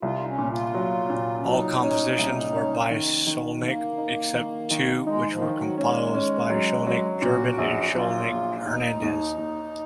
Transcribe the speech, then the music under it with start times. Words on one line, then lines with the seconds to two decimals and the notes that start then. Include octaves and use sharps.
All compositions were by Skolnick, except two which were composed by Skolnick-Joubran and Skolnick-Hernandez.
0.02 C2 F4
0.20 D#4
0.27 C#4
0.38 A#2
0.50 F4
0.75 F#3
1.10 A#2
1.37 C#4
1.46 F#3 D#4
1.83 C#4
2.19 C2
2.54 C#4
2.90 D#3
3.27 D#3
3.62 D#3 A#3
3.98 D#4
4.34 D#3
4.71 D#3
5.06 G#3 D#4
5.30 F3
5.42 D#3
5.54 F#3
5.78 G#3 C#4
6.14 C#4
6.50 F#3
6.87 F#3
7.22 A#2 F#4
7.58 A#1
7.94 F#3 F4
8.30 A#1
8.58 F4
8.65 D#2 D#4
9.03 D#2
9.38 D#2